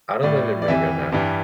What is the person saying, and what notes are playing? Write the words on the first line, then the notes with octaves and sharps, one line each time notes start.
I don’t live in Maigo now.
A2 G3 D5
D5
F2 E3 G3 E5
G2 E3 G3